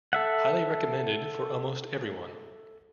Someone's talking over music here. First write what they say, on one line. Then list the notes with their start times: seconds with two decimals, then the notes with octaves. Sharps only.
Highly recommended for almost everyone.
0.13 A4 E5 F#5